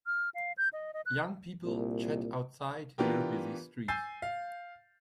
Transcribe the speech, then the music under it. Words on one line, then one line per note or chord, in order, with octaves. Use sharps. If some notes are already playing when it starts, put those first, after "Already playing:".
Young people chat outside near a buzy street.
F6
F5
G6
D#5
D#5
F#6
C2 A#2
E3 B3 D4 F4 G4 A#4
G#5 E6 G6 A6 C7
F5